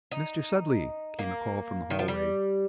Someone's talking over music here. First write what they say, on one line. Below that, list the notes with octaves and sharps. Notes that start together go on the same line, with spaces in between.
"Mr. Sudley!" came a call from the hallway.
D#4
A#3
D#3
F3
G3